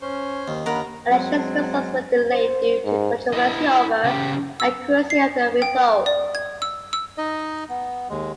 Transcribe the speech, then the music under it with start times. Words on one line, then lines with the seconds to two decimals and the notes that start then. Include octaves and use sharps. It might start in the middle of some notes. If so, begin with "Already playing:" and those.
Elections results were delayed due to a controversy over accuracy of the results.
0.02 C#4 C5
0.48 D#2
0.66 D#2 C#4 D4 A#4 F#5 A#5 B5
1.10 F#3 G#3 C4
2.32 C5
2.84 G#2
3.33 E4 D#5
4.04 C#3 G4
4.60 E6
5.10 C7
5.62 G5
6.06 D5
6.35 G#6
6.62 E6
6.93 E6
7.18 D#4 D#5
7.69 B3
8.10 D#2 G#3